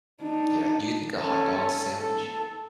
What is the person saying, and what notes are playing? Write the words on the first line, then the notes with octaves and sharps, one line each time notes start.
Yeah, do you think a hot dog is a sandwich?
D4 D#4
C#4 A4
A4